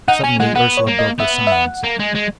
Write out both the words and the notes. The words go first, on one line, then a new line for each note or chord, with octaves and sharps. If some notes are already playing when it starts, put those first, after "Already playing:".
Suddenly Ursela broke the silence.
D#4 F#5
C#4 G#5
G#3 F#5
B3 F#5
C#5
A#3
D#5
B3 E5
E5
F#5
A#3
G#3
G#3